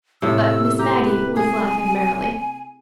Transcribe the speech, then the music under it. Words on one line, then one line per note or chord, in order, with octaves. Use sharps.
But Miss Maggie was laughing merrily.
A2 C3 E6
G4 A#5
B4
G#4 G#5